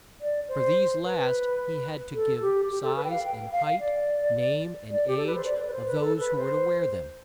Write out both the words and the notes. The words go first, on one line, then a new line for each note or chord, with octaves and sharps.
For these last he had to give size and height, name, and age, of those who were to wear them.
D5
C5
B4
A4
G4
G4
A4
B4
G5
F5
G5
F5
F5
D5
D5
G4
A4
B4
C5
D5
D5
B4
C5
B4
A4
B4
C5